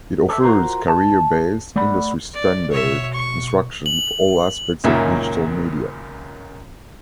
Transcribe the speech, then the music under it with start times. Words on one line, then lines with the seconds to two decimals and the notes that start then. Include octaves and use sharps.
It offers career-based, industry-standard instruction for all aspects of digital media.
0.28 G4 A4 C#5 E5
0.42 F4 F#4 A#4 C5
0.88 A5
1.76 A3 D5 F#5 B5
2.33 D5
2.71 B2 C#5 E5
3.13 C#6
3.86 F#7
4.84 C#2 F#2 A#2 D#3 C#4 E5